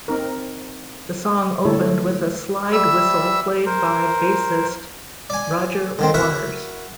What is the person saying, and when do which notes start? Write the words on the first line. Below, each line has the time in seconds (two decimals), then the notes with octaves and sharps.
The song opened with a slide whistle played by bassist Roger Waters.
0.08 C4 D#4 A#4
1.65 D3 G3 A3 E4 A4 C#5
2.73 G3 E5 E6
3.66 A#4 C5
5.30 D5 G#5
5.99 D3 D#3 C4
6.14 E4 F#4 A#4 E5 F#5